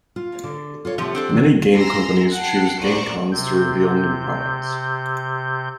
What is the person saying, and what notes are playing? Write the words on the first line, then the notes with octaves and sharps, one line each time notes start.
Many game companies choose game cons to reveal new products.
F4
D3 D5
F4 A4 C#5
C3 F3 A3 G4 F#5 G6
C4 D4 A4 C7
D#3 G#3 D5
G#5 A#5 C6 E6 A#6
F#5 G5 A5 C7
A#1 D3 C5 D5 A#5 C#6
C3 G6